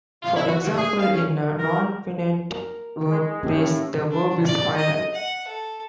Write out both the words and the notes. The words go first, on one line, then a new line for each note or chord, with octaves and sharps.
For example, in a nonfinite verb phrase the verb is final.
F4
E4
F#4
G2
G#4
F5
C#4
A#4
A#4
G#3
A2 A#3 C#4 G4
D4
D5
D#5
F#5
A4